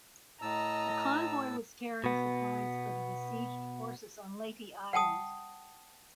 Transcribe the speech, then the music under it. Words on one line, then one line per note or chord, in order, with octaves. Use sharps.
The convoy was carrying supplies for the besieged forces on Leyte Island.
A2 D#5 A5 A#5 E6
B2 B3
F#5 G5 A5 D#6